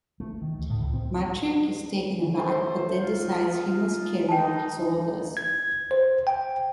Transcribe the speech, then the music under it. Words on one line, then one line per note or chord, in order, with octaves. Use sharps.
Maciek is taken aback, but then decides he must carry out his orders.
A3
D#3
D2
A2
C#2
C4
A3 C5
D#4 F4
D#4 G5 A5
G#6
C5
G5